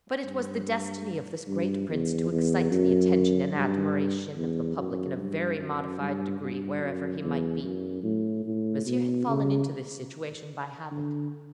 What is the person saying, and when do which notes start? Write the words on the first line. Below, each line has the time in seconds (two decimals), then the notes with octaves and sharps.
But it was the destiny of this great prince to excite the attention and admiration of the public in a very modified degree wherever he might be. Monsieur had fallen into this situation by habit.
0.24 G2
1.48 G2
1.89 E2
2.30 E2
2.71 F#2
3.54 G2
4.35 E2
4.77 F#2
5.17 G2
5.59 F#2
5.99 G2
6.40 G2
6.81 F#2
7.23 E2
7.64 F#2
8.04 A2
8.45 A2
8.86 B2
9.27 C#3
10.91 D3